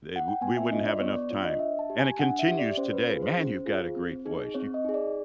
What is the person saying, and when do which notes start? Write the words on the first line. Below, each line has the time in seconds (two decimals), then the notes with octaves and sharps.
They wo we wouldn't have enough time, and it continues today. "Man, you've got a great voice. You
0.16 F#5
0.28 G5
0.41 B3 G#5
0.57 E5
0.71 D4 F4 D#5
0.86 D5
1.00 B3 C#5
1.15 D5
1.30 D4 F4 C#5
1.45 D#5
1.59 D4 E5
1.79 A5
1.90 G4
1.99 G#5
2.19 D4 F#5
2.39 E5
2.48 G4
2.59 D5
2.77 C#4 C5
2.93 B4
3.08 F4 G#4
3.22 C5
3.37 C#4 C5
3.66 F4 G#4
3.96 C4
4.26 D#4 G#4
4.54 C4 C#5
4.74 D#5
4.85 D#4 G#4
4.94 D5